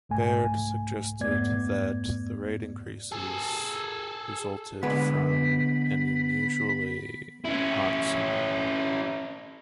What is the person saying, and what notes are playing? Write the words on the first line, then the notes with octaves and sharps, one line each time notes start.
Baird suggested that the rate increases resulted from an unusually hot summer.
C2 G#2 A3 G#5
F2 G#2 A3 B3 D5 G#6
G#4 A4
D3 G#3 B3 B4 B5
C#4 E4